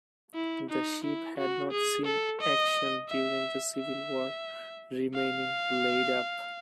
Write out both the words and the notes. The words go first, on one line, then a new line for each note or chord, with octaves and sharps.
The ship had not seen action during the Civil War, remaining laid up.
E4
D#4
E4
F#4
G#4
A4
D#5
E5
E5
F5